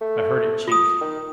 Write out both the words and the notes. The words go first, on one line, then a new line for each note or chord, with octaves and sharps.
I heard it chink.
A3
F4 D#6
D#3